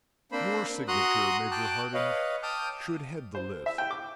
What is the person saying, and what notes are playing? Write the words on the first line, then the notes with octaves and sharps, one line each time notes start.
"Your signature, Major Hardinge, should head the list."
A#3 C4 D4 C5 B5
F#4 A#5 C6 D#6 F#6
G5 A5 D6 F#6
B4 C#5 D#5 F5
G5 A5 D6 D#6 F6 G6
C5
E5
G5
D6